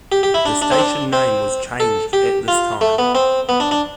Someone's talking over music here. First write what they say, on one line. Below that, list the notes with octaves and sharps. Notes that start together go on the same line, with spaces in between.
The station name was changed at this time.
G4
G4
E4
D4
D4
C4
D4
C4
A4
G4
F4
A3
B3
C4
B3
D4
D4